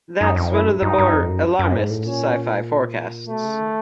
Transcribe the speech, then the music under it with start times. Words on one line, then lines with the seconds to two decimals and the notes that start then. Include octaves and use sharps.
That's one of the more alarmist sci-fi forecasts.
0.20 F#2 D#4
0.36 F2
0.52 F#2 E4
0.67 G2
0.82 G2 D#4
0.98 G2
1.13 F2
1.29 F#2
1.59 F#2
1.75 G#2
1.90 A2
2.05 A#2 C#4
3.28 B2 A3
3.45 C#3
3.60 D#3